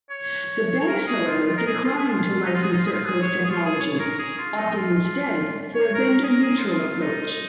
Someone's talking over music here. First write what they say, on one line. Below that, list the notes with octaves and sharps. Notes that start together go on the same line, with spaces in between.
The banks, however, declined to license CertCo's technology, opting instead for a vendor-neutral approach.
C#5
C#5
A#4
G#4
F4
F4
A#4
G#4
F4
G#4
F4
D#4
F4
G#4
D#4
F4
G#4
F4
G#4
C#5
G#4
F4
G#4
C#5
C#5
A#4
G#4
F4
D#4
D#4
F4
C#5
A#4
A#4
G#4
A#4
G#4
F4
G#4
F4
D#4